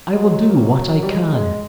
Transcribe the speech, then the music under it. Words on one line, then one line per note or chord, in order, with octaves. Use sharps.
I will do what I can.
F#3 G#3
A#3
G3
G#3
G#3